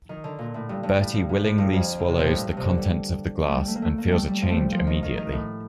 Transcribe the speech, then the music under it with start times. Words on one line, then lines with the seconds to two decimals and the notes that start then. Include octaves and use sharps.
Bertie willingly swallows the contents of the glass, and feels a change immediately.
0.09 D#3
0.24 D3
0.39 A#2
0.54 A2
0.69 G2
0.83 G2
0.99 A2
1.14 G2
1.29 A2
1.44 A2
1.58 G2
1.73 F2
2.00 D3
2.08 C3
2.17 A#2
2.24 A2
2.33 G2
2.48 G2
2.57 C3
2.63 D3
2.78 G3
3.46 A3
3.53 G3
3.68 A3
3.75 A#3
3.82 A3
3.98 A#3
4.08 G3 A3
4.27 G3
4.42 F3
4.50 A3
4.57 G3
4.72 F3
4.87 D#3
5.03 D#3
5.17 D#3
5.32 A2